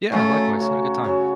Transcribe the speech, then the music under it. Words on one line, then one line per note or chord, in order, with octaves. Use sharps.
Yeah, likewise, had a good time.
C#3 F#3 A3 C#4 F#4
C#3 F#3 C#4 F#4
C#3 F#3 C#4 F#4